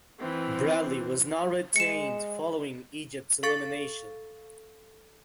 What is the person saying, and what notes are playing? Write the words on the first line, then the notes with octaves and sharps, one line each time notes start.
Bradley was not retained following Egypt's elimination.
E3 C4
G#3 C#7 E7
A4 F5 C#6 A6 C#7